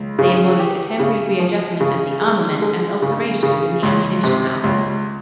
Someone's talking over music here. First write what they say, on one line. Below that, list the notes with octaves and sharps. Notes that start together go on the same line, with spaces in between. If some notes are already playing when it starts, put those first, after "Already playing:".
They embodied a temporary readjustment of the armament and alterations in the ammunition house.
Already playing: C#2
C#3
G4
C#3
F3
C#3
G#3
G#3
C#3
C#3
C#2
C3
C#2